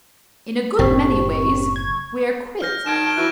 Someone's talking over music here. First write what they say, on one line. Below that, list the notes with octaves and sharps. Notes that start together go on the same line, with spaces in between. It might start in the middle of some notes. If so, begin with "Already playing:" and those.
In a good many ways, we're quits.
F#1 A2 C4 G4 C#6
G#6
F6 G6 A#6
D#3 A5 G#6 D7 E7
D7 G7
E3 F#3 E4 C#6 F#6